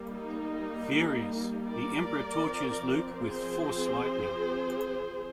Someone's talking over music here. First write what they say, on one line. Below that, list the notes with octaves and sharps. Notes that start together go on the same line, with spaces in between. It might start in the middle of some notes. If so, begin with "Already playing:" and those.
Furious, the Emperor tortures Luke with Force lightning.
Already playing: G3 A#3
D#4
A#4 D5
F3 C4
G#4 C5